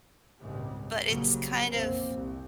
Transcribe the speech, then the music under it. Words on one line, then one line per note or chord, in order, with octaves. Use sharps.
but it's kind of
G#1 C#2 A#2 C#3 G3 G#3
A#1 C#3 F#3 G3 A#3
F1 A#1 E2 A#2 A#3 C4
C2